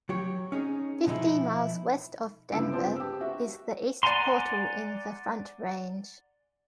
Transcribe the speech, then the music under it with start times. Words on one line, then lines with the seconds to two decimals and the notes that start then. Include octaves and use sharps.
Fifty miles west of Denver is the East Portal in the Front Range.
0.09 F#3 F#4 G4 C#5
0.52 C#4 D#4 G#4
1.07 B2 F3 D#4 E4 G#4
2.52 G1 C#3 B3 E4 E6 D7
2.73 B3 C4 F4 G#4 C5 A5
2.96 G4 E6
3.21 F#4 E5
4.03 D5 F#5 G#5 A#5 C6